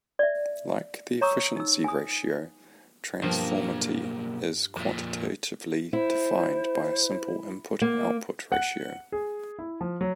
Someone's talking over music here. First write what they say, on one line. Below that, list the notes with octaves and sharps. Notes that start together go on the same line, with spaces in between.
Like the efficiency ratio, transformity is quantitatively defined by a simple input-output ratio.
D5 E5
C#5 A#5 C#6 D#6 E6
D#4 E6
G#5 D#6
B1 G2 F3 A#3
F2 A#2
E4 C5
A#3
F#5
G#4
E4
F3
F#3